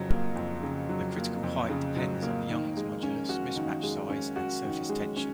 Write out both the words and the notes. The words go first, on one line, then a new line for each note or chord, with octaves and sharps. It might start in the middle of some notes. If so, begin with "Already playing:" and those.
The critical height depends on the Young's modulus, mismatch size, and surface tension.
Already playing: F2 C#3 F#3
A#3
F2
C#3
F#3
A#3
F2
C#3
F#3
A#3
D#3
G#3
C#4
F#4
D#3
G#3
C#4
F#4
D#3
G#3
C#4